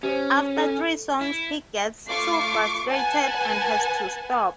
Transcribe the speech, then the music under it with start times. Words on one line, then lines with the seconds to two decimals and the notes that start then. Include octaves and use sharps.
After three songs he gets too frustrated and has to stop.
0.03 C#4 G4 C5
0.56 A4
1.21 E4
2.08 A3 F4 C#6 D6 C7
2.90 B4 F#5 G#5 A5